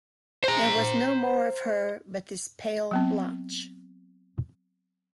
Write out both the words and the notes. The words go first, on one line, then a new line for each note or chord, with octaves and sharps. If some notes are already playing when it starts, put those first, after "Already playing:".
There was no more of her but this pale blotch.
C5 A#5
F#3 B3 C4